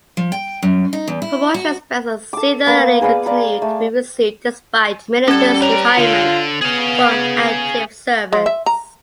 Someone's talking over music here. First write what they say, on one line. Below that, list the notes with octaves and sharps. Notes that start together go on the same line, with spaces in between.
Promotions based on seniority continued to be received, despite Middleton's retirement from active service.
F3
G5
F#2
D#4
E2
E4
F#4
A4 D6
A#3 B3
G#4 B4 D5 F5
D5 F5 A#5
A3
G3 C#4 A4 G#6
B4 C#5 A#5
D3 F4
B3 G#4 F5
G#3
E5
A#5